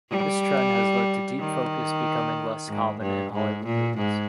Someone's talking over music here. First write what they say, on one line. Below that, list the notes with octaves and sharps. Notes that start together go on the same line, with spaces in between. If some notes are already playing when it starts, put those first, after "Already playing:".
This trend has led to deep focus becoming less common in Hollywood movies.
G3
D#3
G#2
G2
G#2
A#2
G#2